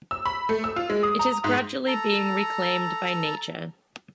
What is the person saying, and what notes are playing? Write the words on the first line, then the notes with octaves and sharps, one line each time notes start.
It is gradually being reclaimed by nature.
E6
B5
A3
E6
F4
G#3
D#6
A#5
G#2
A4 A#5